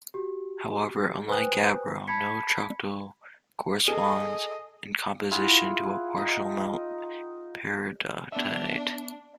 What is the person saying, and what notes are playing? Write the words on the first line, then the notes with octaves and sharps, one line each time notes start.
However, unlike gabbro, no troctolite corresponds in composition to a partial melt of peridotite.
F#4 G4
B4 C5 G5 G#5 D#6 F#6
A5 B5 G#6 B6 C#7
G#4 A4 D#5
E4 F4 G#4 F#5
D#4 D#5 G5
B3 D4 E5